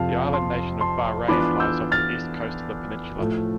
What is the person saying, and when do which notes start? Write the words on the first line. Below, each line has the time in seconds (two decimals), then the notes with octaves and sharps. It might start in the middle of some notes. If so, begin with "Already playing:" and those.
The island nation of Bahrain lies off the east coast of the peninsula.
Already playing: F2 C3 F3 F5 A5
0.33 A5 C6
0.81 A5 C6
1.28 E3 B3 D4 F4 B5 D6
1.60 E6 G6
1.92 F6 A6
3.19 A2 F3 A3